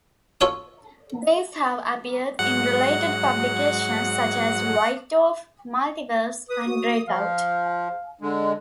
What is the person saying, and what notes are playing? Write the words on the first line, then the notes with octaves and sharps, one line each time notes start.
These have appeared in related publications such as "White Dwarf", "Multiverse" and "Breakout!".
F4 A4 C#5 G#5 D#6
G#2 F#3 F#5
B4 D#6
F#4
F3 F5
D3 G#3 D4